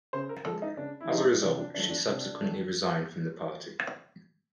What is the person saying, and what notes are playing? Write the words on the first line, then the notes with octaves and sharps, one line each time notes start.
As a result, she subsequently resigned from the party.
C#3 C5
A#4
F3 G#3 A4
D#4
C#3 D4
E4
F3 G#3 D#4
C3 D4
D4
D#3 F#3 A3 D4
D4
C3 D4
D#3 F#3 A3